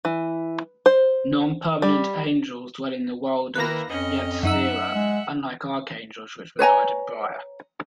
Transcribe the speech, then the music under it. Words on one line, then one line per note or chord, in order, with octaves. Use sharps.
Non-permanent angels dwell in the world of Yetzirah, unlike archangels which reside in Briah.
E3
C5
G3
D#3 A#3 E4 B4 A#6
F2 C#4 D#5
F#2 D#4 E5 F#5 E6
G#3
B4 C#5 G#5 A#5